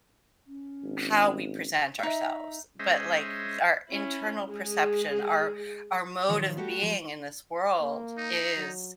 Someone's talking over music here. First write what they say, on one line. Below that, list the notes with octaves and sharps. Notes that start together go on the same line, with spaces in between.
how we present ourselves, but, like, our internal perception, our our mode of being in this world is
C#4
G#1
D#4 E5
G#3 C#4 C5 D#5 E5
C#4 E4
G#3 G#4
A#2 D#3 F3 F#3
G3 A3 F#4 G4
F3 G3
A#3
D#4
F#3